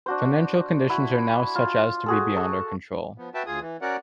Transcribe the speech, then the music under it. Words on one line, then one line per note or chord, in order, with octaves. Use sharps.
Financial conditions are now such as to be beyond our control.
D4 F#4 C5
E4 F#4
F4
F#4 G#4 A4
A4 C#6
F3 B3
F#4 B4 E5 G5 A5
D2 F4 G#4 D#6
E3
C#4 F#4 A#4 D5 F#5